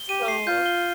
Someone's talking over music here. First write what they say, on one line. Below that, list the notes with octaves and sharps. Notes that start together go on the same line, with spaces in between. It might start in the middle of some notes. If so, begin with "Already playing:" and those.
S so
Already playing: G7
G4 D#7
C7
F4 G6
G7